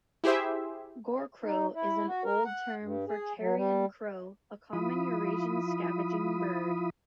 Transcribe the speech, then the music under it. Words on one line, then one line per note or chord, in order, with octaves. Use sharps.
Gorcrow is an old term for Carrion crow, a common Eurasian scavenging bird.
E4 G4 G#4 C5 E5
D#4
E4
F#4
A#4
F#5
G2
G#4
F#3
G3
F3 E4 F4 B5 D#6